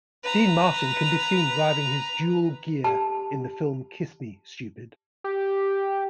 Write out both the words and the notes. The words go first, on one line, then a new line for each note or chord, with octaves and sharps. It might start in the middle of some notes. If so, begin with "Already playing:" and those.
Dean Martin can be seen driving his Dual-Ghia in the film "Kiss Me, Stupid".
B4 A#5
G4 A5
G4